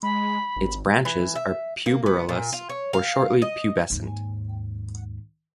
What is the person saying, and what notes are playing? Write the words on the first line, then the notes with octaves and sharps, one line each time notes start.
Its branches are puberulous or shortly pubescent.
G#3 B5
G#1
E3
E5
A#3
B3
A#2
F4
C#5
F5
D#5
D#2 G#2